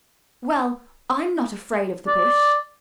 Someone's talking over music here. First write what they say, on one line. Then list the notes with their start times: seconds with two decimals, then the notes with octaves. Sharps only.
"Well, I'm not afraid of the Bush."
2.07 D5